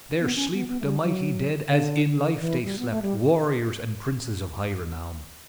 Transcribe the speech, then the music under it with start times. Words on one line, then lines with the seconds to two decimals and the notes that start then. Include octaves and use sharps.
There sleep the mighty dead as in life they slept, warriors and princes of high renown.
0.20 B3
0.36 C#4
0.53 B3
0.68 B3
0.81 A3
0.85 G3
1.02 F#3
1.67 D3
2.15 D3
2.33 D3
2.40 E3
2.64 G3
2.79 B3
2.91 A3
3.02 G3